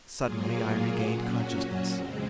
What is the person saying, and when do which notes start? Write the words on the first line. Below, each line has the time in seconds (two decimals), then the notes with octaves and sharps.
Suddenly I regained consciousness.
0.16 A#2 F#3 A#3 F4 G#4
1.05 A#2 F#3 C#4 F#4
1.94 F2 C#3 G#3 C4